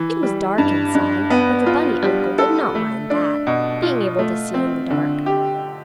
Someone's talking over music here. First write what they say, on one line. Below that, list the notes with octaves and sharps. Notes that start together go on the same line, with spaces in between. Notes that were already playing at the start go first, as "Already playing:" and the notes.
It was dark inside, but the bunny uncle did not mind that, being able to see in the dark.
Already playing: E3
G3
G2
G2
B3
F4
G3
A4
A3
D4
B2
F4
A3
C4
D3
G4